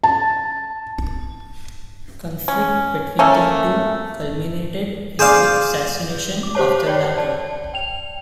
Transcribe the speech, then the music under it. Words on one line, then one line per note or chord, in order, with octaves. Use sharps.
Conflict between the two culminated in the assassination of the latter.
A5
C#4
A3 A#3 C#4
G#4 C5 D5 F5 D6
D6
G4 C5 C#5 A5
C#5 D5 G5
D5 A5
G5 F7